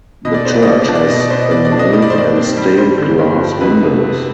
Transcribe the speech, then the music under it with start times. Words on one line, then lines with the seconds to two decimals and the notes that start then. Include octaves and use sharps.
The church has a nave and stained glass windows.
0.25 B2 D#5
0.34 D5
0.45 B3 C5
0.54 D5
0.62 D#5
0.67 B2 D5
0.82 D5
0.88 D4
0.95 D5
1.09 B2 D#5
1.20 D5
1.30 B3 C5
1.41 D#5
1.51 B2 D5
1.65 D5
1.72 D4
1.79 D#5
1.93 G2 D#5
2.02 D5
2.10 C5
2.14 D#3 D5
2.36 C4
2.57 G3
2.77 G2 C5
2.98 D3
3.19 G2
3.41 F3
3.61 F2 B4
3.83 C3
4.04 B3